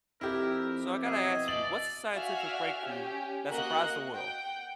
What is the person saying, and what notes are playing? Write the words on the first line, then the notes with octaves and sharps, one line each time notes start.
So I gotta ask you, what's the scientific breakthrough that surprised the world?
F2 E4 G4 A#4
B2 G#4 D#5 E5
D5 F#7
F#4 D5 E5 F5 G#5 F6
C#4 G4
A#3 F#4 D#5 F#6
F#5 G5